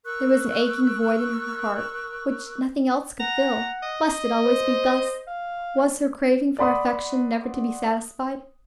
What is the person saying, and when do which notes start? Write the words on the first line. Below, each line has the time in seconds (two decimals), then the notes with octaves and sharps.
There was an aching void in her heart which nothing else could fill; must it always be thus? was her craving for affection never to be satisfied?
0.04 A#4 C#6 E6 F#6
3.20 F#5 A#5
3.83 D#5
4.45 C5
5.27 F5
6.59 D5 F#5 B5 C6 D#6